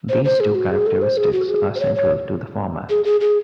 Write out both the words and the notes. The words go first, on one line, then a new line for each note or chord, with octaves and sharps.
These two characteristics are central to the format.
C5
C5
G#4
F#4
G#4
A4
C5
G#4
F#4
G#4
C5
C#5
C#5
G#4
G#4
G#4